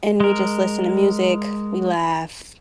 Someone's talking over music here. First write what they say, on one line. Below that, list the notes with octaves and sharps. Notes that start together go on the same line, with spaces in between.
and we just listen to music, we laugh,
G#3 A#4